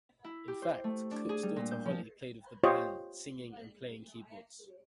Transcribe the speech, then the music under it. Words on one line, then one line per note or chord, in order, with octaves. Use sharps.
In fact, Cook's daughter Hollie played with the band, singing and playing keyboards.
E4
G4
C5
A3
D4
G#4
G3
A#2
G6
F3
F4 G4 C5 C#5 D#5